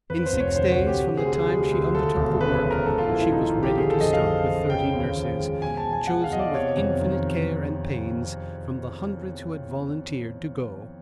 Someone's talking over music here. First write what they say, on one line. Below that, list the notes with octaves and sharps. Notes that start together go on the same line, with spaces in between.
In six days from the time she undertook the work she was ready to start, with thirty nurses, chosen with infinite care and pains from the hundreds who had volunteered to go.
F2 B4
C5
F1
C#5
D3 C5
F#4
F1
G4
D3
G#4
D2
G#4
G3
D2
D#2 A4
E1
C#3 B4
B4
F3
A#4
G#2 A4
F4
A#1 E4
F4
E4
D#3 D#4
F4
A#1
G4
D3 G#4
A4
F2 D#5
F5
F3
F2
C#3 G5
D#2
F3
G#3
B2 G#5
A5
E2
G#5
G#3 F#5
F5
E2 D#5
D5
C3 C#5
F2
D#3